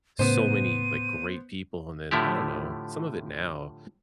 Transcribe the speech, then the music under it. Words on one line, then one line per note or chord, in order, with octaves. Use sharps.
so many, like, great people, and then, I don't know, some of it now
A2 C#3 B3 C5 D#7
A2 D3 F3 A3 E4 G4